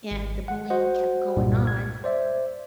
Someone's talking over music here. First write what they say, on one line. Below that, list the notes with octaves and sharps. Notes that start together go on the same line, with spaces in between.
and the bullying kept going on,
G#1
F#5
F#4 C5 D#5 F#5
C2 G2 A#2 G3
G#6
C5 D5 E5